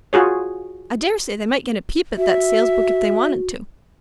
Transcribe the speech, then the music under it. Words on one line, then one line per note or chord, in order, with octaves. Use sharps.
I daresay they might get a peep at that sales book if they wanted to.
F4 F#4 G#4 C#5
F#4 E5